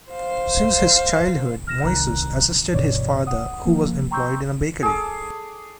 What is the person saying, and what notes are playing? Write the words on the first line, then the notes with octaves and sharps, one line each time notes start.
Since his childhood Moisis assisted his father who was employed in a bakery.
C5 F5
F6 A#6 E7
C2 C3 D#3 A#5 F#6
G1 G2 B2 E3 C#5 D5
F#5 D#6
F3 A#3
G5 A#5 C6 C#6 E6 G6
G#4 A4 D6